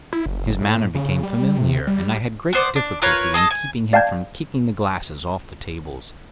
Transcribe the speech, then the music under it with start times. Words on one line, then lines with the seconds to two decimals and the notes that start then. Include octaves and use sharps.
His manner became familiar, and I had great difficulty in keeping him from kicking the glasses off the tables.
0.13 E4
0.26 F#1
0.61 A2
0.95 C#3
1.23 G3
1.58 C3
1.87 G3
2.53 B3 C5 D5
2.76 D4
3.02 F4 A#4 B4 C#5
3.34 G#4 A4 D#5
3.51 G#5
3.93 D5 F5 G5 A5 G6 G#6